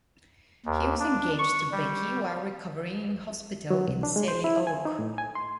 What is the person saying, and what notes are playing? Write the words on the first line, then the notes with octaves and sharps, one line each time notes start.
He was engaged to Becky while recovering in hospital in Selly Oak.
D#2
D4
C#6
G3
F#3
C2
D4
G#3
C5
E4
G#5
D#4
A2
G#5
C6